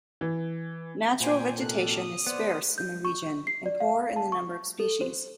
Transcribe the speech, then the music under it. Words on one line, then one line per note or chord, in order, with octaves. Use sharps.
Natural vegetation is sparse in the region and poor in the number of species.
E3
C2 F#2 A#2 C5 G5 G#5
C3 D#3 A#3 A4 F#6
D#6
B3 C5 D5
G6
C#6
C7
D5
F5
A5
C#6
A4
C5